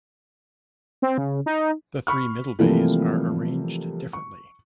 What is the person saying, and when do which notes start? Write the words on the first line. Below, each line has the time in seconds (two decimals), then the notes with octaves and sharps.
The three middle bays are arranged differently.
1.02 C4
1.18 C#3
1.46 D#4
2.07 B5 C#6 F6
2.59 C3 E3 F3 G3 A3 A#3
4.13 C#6